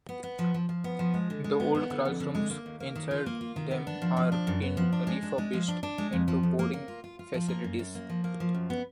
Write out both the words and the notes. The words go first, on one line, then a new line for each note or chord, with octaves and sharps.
The old classrooms inside them are being refurbished into boarding facilities.
B3
B3
F3
F3
F3
B3
F3
G#3
D3
G#3
B3
B3
D3
F2
D3
G#3
A#3
D#2
A#3
D#3
F4
A#3
F4
D#3
B3
D4
F3
F3
D4
F#2
B3
F3
D4
G#3
D4
G#3
F3
D4
D4
G#3
F2
F3
F2
A#3
A#3
F4
F4
F4
F3
A#3
F#2
F#2
A#3
F3
A#3
F3
F#2
B3